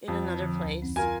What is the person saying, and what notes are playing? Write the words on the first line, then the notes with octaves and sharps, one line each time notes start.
in another place.
F2 A5
D3 F3
D2
F2 C4
F4 F#4 A#4 G#5